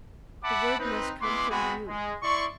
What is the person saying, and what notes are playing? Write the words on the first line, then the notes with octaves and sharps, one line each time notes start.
The word must come from you.
E5 F#5 A5 B5 D6
C4 D#4 B4
G#3 B3 E4 B4 C6 D6
G#3 B3 C4 F#4 G#4 B5
G#3
E4 D5 C6 C#6